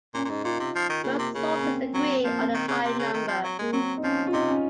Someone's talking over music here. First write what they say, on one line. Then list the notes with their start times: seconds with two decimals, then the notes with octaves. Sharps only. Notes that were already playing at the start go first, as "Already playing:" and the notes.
Most sources agree on the higher number.
0.14 A#2 C#4
0.25 A#2
0.30 G#2 D#4
0.44 A#2 F4
0.60 C3
0.75 F3
0.89 D#3
1.04 C#3 A#3
1.19 C3
1.34 C#3 A#3
1.58 C#4
1.64 C4
1.94 F#3 C4
2.24 F3 A#3
2.39 C4
2.54 D#3
2.68 C#3
2.84 C3
2.99 C#3
3.14 D#3
3.28 F3
3.44 F#3
3.59 G#3 A#3
3.73 F#3 C4
3.98 D#4
4.03 F3 C#4
4.27 F4
4.33 C3 D#4
4.48 C#4